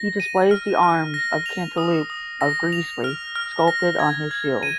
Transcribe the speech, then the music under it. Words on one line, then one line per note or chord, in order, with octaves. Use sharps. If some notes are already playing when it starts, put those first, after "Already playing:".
He displays the arms of Cantilupe of Greasley sculpted on his shield.
Already playing: A#6
D#7
F6
F6
A#6
F7
D#6
D#6
A#6
F7
F6
F6
A#6
G#6
G#6
D#7